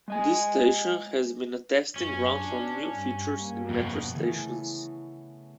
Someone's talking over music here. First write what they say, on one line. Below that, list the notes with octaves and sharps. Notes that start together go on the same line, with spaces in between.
This station has been a testing ground for new features in Metro stations.
G#3 D#5 G#5
F#2 C#4
D4
G2
G2 A#3
F2 B2
C#3 E3 A3 B3